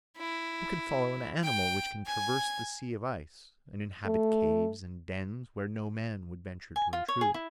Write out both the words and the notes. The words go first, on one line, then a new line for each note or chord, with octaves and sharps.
Who can follow an animal which can traverse the sea of ice and inhabit caves and dens where no man would venture to intrude?
E4
G5
G#5
A3
G#5
F4
C#5
G#4
E4